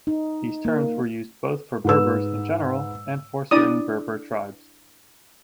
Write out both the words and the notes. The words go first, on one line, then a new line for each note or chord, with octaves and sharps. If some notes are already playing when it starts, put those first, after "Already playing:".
These terms were used both for Berbers in general and for certain Berber tribes.
D#4
A#3
G#2 B4 E6
D4 E4 D5 D#6